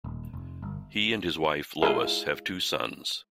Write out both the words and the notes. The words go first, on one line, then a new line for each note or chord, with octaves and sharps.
He and his wife, Lois, have two sons.
D#1
F1
G1
G#3 E4 F4